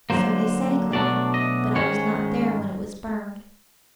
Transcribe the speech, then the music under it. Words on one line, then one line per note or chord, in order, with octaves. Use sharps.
"So they say, Clara; but I was not there when it was burned."
D3 F#3 A#3 C5
B2 F#3 A3 D4 D5
D#5
G#2 D#3 G#3 C#4 C#5